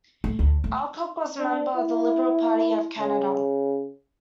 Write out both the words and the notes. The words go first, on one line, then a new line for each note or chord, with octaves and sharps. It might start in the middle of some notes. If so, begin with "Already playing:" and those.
Alcock was a member of the Liberal Party of Canada.
A3
D2
A3
D4
E4
C#3